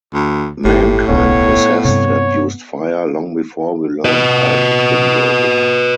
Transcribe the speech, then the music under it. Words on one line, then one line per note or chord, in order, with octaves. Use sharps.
Mankind possessed and used fire long before we learned how to kindle it.
D2
G1 A2 G4
D1 B1 B3 C#5
G2 C3 C#5
B4 D#5